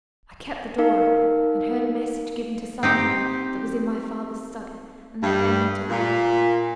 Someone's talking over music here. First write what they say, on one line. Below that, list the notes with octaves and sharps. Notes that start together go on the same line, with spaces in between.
I kept the door open, and heard a message given to some man that was in my father's study, and that then went away.
D#4 A#4 F5
C4 D#4 G4
G2
A#2